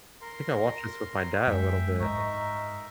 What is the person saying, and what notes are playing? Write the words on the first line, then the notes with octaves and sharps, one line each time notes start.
think I watched this with my dad a little bit,
A#4 C6
F#2 G#3 E5 G5
G#2 G#3 D#4 A#4 D#5 E5 A#5 C#6